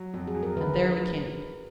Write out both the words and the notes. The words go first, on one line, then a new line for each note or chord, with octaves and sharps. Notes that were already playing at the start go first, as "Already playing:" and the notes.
And there we camped.
Already playing: F#3
F2 F#4
G#4
F#3
A#4
D2 B4
D3